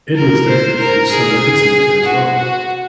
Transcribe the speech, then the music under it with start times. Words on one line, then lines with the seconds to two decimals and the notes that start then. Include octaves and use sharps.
Edwards later became a solo hits maker as well.
0.15 A#4
0.48 C5
0.78 A#4
1.11 G#4
2.05 F#4
2.36 F#4